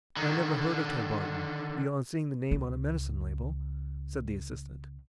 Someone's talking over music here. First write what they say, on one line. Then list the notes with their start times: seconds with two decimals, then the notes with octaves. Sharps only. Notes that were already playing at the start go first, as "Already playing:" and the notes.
"I never heard of Ted Barton, beyond seeing the name on a medicine label," said the assistant.
0.17 D3 D#3
2.51 C#2 C#3